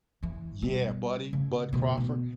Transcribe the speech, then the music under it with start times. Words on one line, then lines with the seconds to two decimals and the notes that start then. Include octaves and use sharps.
Yeah, Buddy Bud Crawford.
0.23 E2 E3
0.62 B2 G3
1.33 C#3
1.73 B2 D#3
1.98 B2